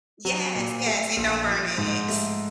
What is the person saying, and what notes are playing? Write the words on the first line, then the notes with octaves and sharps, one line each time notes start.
Yes, yes, and don't burn the eggs.
F#3
A#2
A3
A#1
F3
G#2
A3